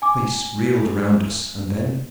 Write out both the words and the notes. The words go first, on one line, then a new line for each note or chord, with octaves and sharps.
Space reeled round us, and then....
G#5 D6